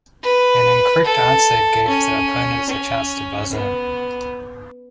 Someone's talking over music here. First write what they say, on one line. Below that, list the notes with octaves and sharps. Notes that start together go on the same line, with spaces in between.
An incorrect answer gave the opponents a chance to buzz-in.
B4
A4
C#4
C#4
B3